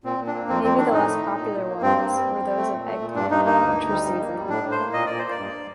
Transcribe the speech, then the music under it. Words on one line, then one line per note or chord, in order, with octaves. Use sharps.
Maybe the less popular ones were those of eggplant, which were seasonal.
A#2 C4
A#2
D4
A#3
F2 C4
F2 C4
D#3 D4
A2 D#4
A3
A2
A#2
A#2
A#3
G2 C4
A#3
G3
F2
F2
A3
A#2
A3
A#2
G2 D4
G2 D#4
A#3 D#4
D2
D2
G3
G2
A#3
G3
A2 D4
A2
C5
A#3
A#2 D#5
A#2 D5
A#3 C5
D5
G2